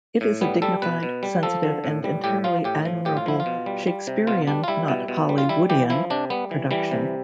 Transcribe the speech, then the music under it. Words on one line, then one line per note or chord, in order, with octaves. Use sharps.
It is a dignified, sensitive and entirely admirable Shakespearean-not Hollywoodean-production.
A2
G3 B3
G3 A4
B2 B4
B2
G3
F3 A4
D3
A2
G3
A2 G4
F3 F4
A2 G4
F3
A2 G4
F4
F3 E4
F4
B2
G3
G3
C3
B2 F4
G3 D4
F4
G3 E4
B2
B2
G3
F4
G3 E4
E3 G4
F3 E4
C3 D4
G3 B3
E3
E3 G3
C3